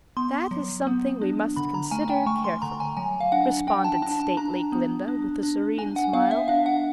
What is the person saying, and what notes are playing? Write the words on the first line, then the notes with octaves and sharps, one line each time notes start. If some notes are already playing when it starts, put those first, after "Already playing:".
"That is something we must consider carefully," responded stately Glinda, with a serene smile.
B3 C6
F#3
B3
D4
D3 B5
A#5
A3 G#5
G5
A3 C#6
C6
D3 A#5
G#5
F#3 G#5
F5
D4 F#5
D4 G5
A5
D4 A5
A5
D4 A#5
B3
D4
D4
D4 G#5
F#5
B3 F5
E5
D4 F5
F#5